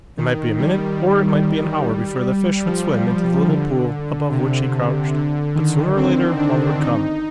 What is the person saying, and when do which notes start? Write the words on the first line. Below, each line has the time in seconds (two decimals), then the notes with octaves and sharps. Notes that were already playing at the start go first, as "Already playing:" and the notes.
It might be a minute or it might be an hour before the fish would swim into the little pool above which he crouched, but sooner or later one would come.
0.17 D#3
0.58 G3
2.66 F3
3.48 D3
4.32 C3
5.14 D3
5.55 D#3
5.97 C4
6.38 D4
6.80 D#4